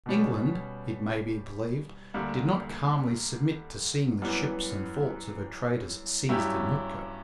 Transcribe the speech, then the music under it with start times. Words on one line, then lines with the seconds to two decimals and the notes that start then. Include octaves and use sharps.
England, it may be believed, did not calmly submit to seeing the ships and forts of her traders seized at Nootka.
0.06 B2 G3 C#4
2.14 D2 D3 G3 A#3
4.22 F#2 E3 G3 B3
6.29 G2 F#3 C#4 E4 G4